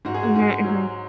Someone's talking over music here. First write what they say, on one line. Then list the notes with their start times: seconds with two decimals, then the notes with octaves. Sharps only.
Mhm, mhm.
0.05 G#2 F#4
0.14 G#4
0.23 F#4
0.35 G#2
0.64 F#3